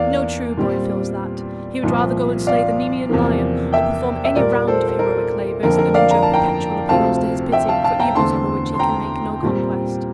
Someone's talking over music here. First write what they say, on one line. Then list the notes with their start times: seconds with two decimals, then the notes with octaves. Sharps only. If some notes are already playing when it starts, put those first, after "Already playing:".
No true boy feels that; he would rather go and slay the Nemean lion, or perform any round of heroic labors, than endure perpetual appeals to his pity, for evils over which he can make no conquest.
Already playing: E2 E3 A#3 D5 F5
0.57 A#2 G3 C4
1.83 C2 A#2 F3
2.47 D5 F5
3.09 E2 C3 F3 A#3
3.73 E5 G5
4.25 E5
4.36 A#2 G3 A#3 A#4 D5
4.68 A4 C5
4.88 C5
4.99 A#4
5.63 F2 D3 F3 A#3 A#4
5.79 A#4
5.94 D5 F5
6.11 A#5
6.23 A5
6.34 G5 A#5
6.89 D2 C3 F3 A3 C4 F5 A5
7.52 E5 G5
7.69 F5 A5
7.84 F5 A5
8.00 G5 A#5
8.15 E2 D3 A3 C4 A5 C6
8.74 C6
8.79 G5 A#5
9.43 A#2 G3 C4